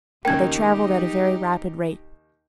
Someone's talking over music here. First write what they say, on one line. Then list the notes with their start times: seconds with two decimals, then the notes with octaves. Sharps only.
But they travelled at a very rapid rate.
0.25 D#2 C#3 A#3 D#4 G4 G5 G#6